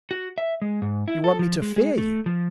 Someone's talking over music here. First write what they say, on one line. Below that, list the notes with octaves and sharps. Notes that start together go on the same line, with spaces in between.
"You want me to fear you?"
F#4
E5
G#3
G#2
E4
A4
F3
G#3
G#3
A3
F3